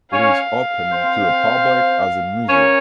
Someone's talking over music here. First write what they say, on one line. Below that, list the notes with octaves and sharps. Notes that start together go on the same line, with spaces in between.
It is open to the public as a museum.
C#4 C#5 F5
C4 C5
C#4 A#4 C#5